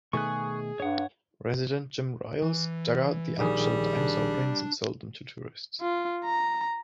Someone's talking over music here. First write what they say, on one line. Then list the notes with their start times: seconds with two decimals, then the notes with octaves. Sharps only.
Resident Jim Ryals dug out the actual dinosaur prints and sold them to tourists.
0.13 B2 D#3 A3 G#4 C#6 F#6
0.80 G2 C#5 F#5
2.42 E3
3.38 A#1 D#3 G3 G#4
3.97 D4
5.81 F4
6.24 A#5